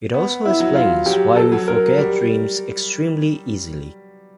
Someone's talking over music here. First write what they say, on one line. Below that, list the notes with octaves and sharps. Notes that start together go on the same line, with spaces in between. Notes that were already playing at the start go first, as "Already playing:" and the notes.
It also explains why we forget dreams extremely easily.
B3
E4
F#3
F4
F#3 G4
A4
F#3
A#4
G3